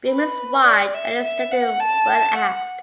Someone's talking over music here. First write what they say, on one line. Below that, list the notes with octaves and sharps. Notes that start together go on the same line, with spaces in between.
Beam is wide and is extended well aft.
B4
D5
E5
E5
F#5
A5
F#5